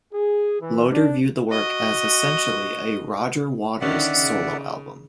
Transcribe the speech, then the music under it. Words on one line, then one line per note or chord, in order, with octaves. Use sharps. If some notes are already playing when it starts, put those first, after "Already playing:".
Loder viewed the work as "essentially a Roger Waters solo album".
G#4
E3
D4
F#4 D#5
D3 D#3 C#4 D5 E5 F#5
C#3